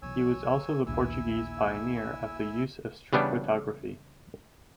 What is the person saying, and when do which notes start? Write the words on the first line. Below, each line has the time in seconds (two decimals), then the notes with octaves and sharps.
He was also the Portuguese pioneer of the use of strip photography.
0.02 B1 E3 C#5 G#5 E6
0.87 A#1 D#2 E4 G#5 E6
3.13 C#3 E3 G3 B3 D4